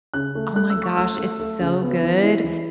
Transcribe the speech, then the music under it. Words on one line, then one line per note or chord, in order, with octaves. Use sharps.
oh, my gosh, it's so good,
C#3 F#6
A3
A3 F#6
E6
A3
C#6
A3 E6
A3
A3
C#3
B3
E3
E4
E3